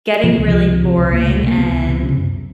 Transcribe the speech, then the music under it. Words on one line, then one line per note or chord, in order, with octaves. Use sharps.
getting really boring, and
C3 F3
C#2 E3
F3
C#2
C3
C3
C#2
C#2 A#3
A3
C3
A3
C3 A#3
C#2 B3
C#2
C3
C#3
F#2